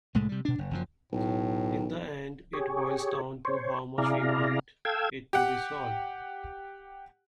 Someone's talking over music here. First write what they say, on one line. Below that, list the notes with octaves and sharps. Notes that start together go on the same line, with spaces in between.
In the end it boils down to how much we want it to be solved.
C2 A2 G#3 A3
C3 G3
B2 D4
F#1
F#1 F#2 F3
B1 A2
G4 G#4 C#5
C5 C#5
C3 E4 G#4 D5 F5 A#5
A4 F5 G5 E6 G#6
G4 F#5